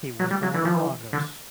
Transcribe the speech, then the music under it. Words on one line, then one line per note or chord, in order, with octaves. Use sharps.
He was born in Lagos.
F#3
G3
F#3
E3
F3
E3
D3